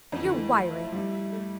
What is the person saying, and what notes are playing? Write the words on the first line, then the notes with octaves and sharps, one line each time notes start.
But you're wiry.
F2 E3
D3
E3 A3
F3 A3
E4
F3
G3 E4
E4
A3